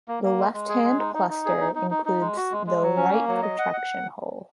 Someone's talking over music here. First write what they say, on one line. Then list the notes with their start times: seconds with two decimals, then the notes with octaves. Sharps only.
The left-hand cluster includes the write-protection hole.
0.08 A#3
0.23 A#3
0.39 G#3
0.54 G#3
0.69 G#4
0.84 G#3
0.99 D#4
1.14 D#4
1.30 D#4
1.45 G#4
1.60 D#4
1.75 D#4
1.91 D#4
2.05 D#4
2.21 G#3
2.37 F#4
2.52 G#3
2.67 G#3
2.82 F#3
2.97 C#4
3.13 A#3
3.28 F#3
3.43 D#5
3.59 F#5
3.73 F#5